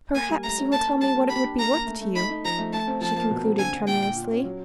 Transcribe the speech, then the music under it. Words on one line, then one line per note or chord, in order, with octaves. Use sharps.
"Perhaps you will tell me what it would be worth to you," she concluded tremulously.
A#3 G#5
G3
A3 A#5
C#4
A#3 A5
D4
G3 A5
A#3
G4 B5
D4
A#3 A#5
A#3
A3
A3
D#4 B5
D#4
F3 A#5
A3
A3 A5
C4
F3 A5
A#3
B2
C4
D3 G#5
D3
A#2 G5
A#2
F4
C#4
F#3